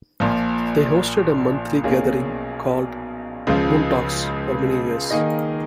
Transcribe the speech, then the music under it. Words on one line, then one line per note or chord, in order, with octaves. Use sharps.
They hosted a monthly gathering called "Moontalks" for many years.
A#1 A#2 F3
B1 B2 A#3 C#4 G#4
C#2 C#3 F3
D#3 A#3 D#4 G#4 D#5